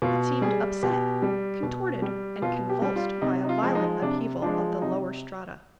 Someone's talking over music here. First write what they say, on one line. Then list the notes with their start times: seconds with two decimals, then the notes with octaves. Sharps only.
It seemed upset, contorted, and convulsed by a violent upheaval of the lower strata.
0.02 B2 F4
0.42 G3 G#4
0.83 B2 G4
1.22 G3
1.63 B2
2.02 G3
2.42 B2 F4
2.69 G4
2.82 G3
2.96 F4
3.22 C3 D#4
3.45 D#4
3.49 F4
3.62 F3 G#3
3.75 D#4
4.02 C3 D4
4.42 F3 G#3 D4
4.82 C3 D#4